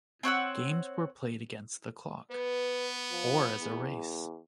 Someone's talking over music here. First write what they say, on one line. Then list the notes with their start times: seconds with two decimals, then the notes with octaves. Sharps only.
Games were played against the clock, or as a race.
0.23 C4 C#5 F#5 E6
2.31 B3 B4
3.12 F3
3.61 E2